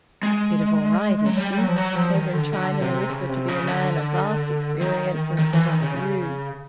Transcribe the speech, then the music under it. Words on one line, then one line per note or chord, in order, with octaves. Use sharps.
"Bit of all right, is she?" Edwin tried in a whisper to be a man of vast experience and settled views.
G#3
F#3
G3
F#3
F3
F#3
F3
D#3
D3
D3
C3
C#3
C3
C#3
D3
D#3
D#3
E3
D#3
C#3
C#3